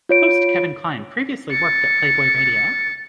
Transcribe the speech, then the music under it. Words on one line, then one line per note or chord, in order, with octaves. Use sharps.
Host Kevin Klein previously worked at Playboy Radio.
F4 C#5 D7
A6 C#7